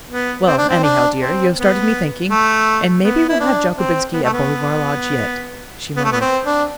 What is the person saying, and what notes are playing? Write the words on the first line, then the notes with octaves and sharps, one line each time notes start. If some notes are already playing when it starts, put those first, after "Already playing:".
"Well, anyhow, dear, you have started me thinking, and maybe we'll have Jockobinski at Bolivar Lodge yet," she murmured.
B3
C4
D4
C4
D4
C4
B3
A3
B3
E4
D4
C4
B3
A3
B3
B3
A3
B3
C4
D4